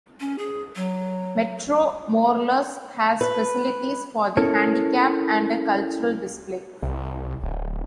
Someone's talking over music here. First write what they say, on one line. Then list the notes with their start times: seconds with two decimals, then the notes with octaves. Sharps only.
Metro Morelos has facilities for the handicapped, and a cultural display.
0.20 C#4
0.38 G#4
0.75 F#3
3.21 B4
4.37 C#4 E4 A4 A#4 C#5
6.82 C2
7.43 D1